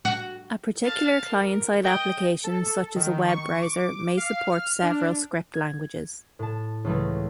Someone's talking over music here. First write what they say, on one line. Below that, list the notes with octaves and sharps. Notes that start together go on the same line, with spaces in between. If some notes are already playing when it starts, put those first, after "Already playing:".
A particular client-side application, such as a web browser, may support several script languages.
F#4
F5 A5
A#4
D#5 G5
A4
D#3
C#6
D6
F5
F6
D4
G#6
A2 A5
C#2 E3 A3